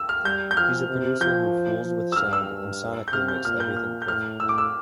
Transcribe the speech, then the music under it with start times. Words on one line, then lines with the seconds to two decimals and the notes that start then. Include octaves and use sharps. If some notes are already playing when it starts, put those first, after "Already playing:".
He's a producer who fools with sound and sonically makes everything perfect.
Already playing: E6
0.09 F6
0.25 G3 G6
0.51 G6
0.56 F3 F6
0.89 C3
1.21 F3 G6
1.85 F3
2.12 E6
2.16 G2 F6
2.33 E6
3.08 G6
3.13 C3 F6
3.28 G6
3.44 A#2 F6
3.60 G6
3.76 F6
4.02 G6
4.08 A2 F6
4.40 A2 E6
4.49 D6
4.58 E6